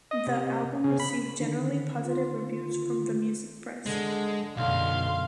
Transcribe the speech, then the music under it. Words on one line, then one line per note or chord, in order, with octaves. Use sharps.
The album received generally positive reviews from the music press.
D#5
C3
C#3
B5
D3 D#3
F4
D3 G#3
B1 F#2 B2 D3 F5 C6